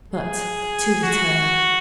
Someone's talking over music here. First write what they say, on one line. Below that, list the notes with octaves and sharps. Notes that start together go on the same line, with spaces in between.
But to return.
G#4
F#4